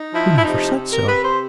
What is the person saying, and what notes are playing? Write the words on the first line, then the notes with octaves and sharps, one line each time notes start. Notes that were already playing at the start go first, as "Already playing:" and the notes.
"You never said so."
Already playing: D#4
F3 E4
E4
C3 D#4
C3
A#4
C3 B4
C5